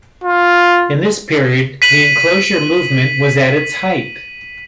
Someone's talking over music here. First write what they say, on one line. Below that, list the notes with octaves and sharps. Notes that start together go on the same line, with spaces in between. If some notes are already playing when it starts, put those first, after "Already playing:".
In this period, the enclosure movement was at its height.
F4
B6 D#7 F#7